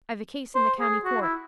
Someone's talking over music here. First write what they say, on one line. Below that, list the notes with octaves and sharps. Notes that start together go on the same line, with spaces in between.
I've a case in the County Court.
C5
G#4
F#4
E4